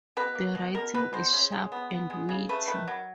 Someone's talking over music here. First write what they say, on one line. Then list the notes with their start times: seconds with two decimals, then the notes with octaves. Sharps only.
The writing is sharp and witty.
0.17 B2 B4
0.35 A#3
0.55 B2
0.74 B2 A#4
0.94 B2 B4
1.13 B2 C5
1.33 C#3
1.52 G#3
1.72 B3
1.91 B3
2.10 G#3
2.29 C#3
2.49 A3 B4
2.68 D#3 B4
2.88 F#3